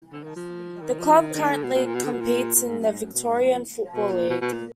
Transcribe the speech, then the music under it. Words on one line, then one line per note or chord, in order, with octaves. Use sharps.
The club currently competes in the Victorian Football League.
D3
D#3
F3
D#3
F3
D#3
D#3
D3
B2
B2
A#2
B2
D3
B2
A#2
A#2
G#2
F#2
G#2
F#2
B2
G#2
F2
B2
A#2
B2
B2
A#2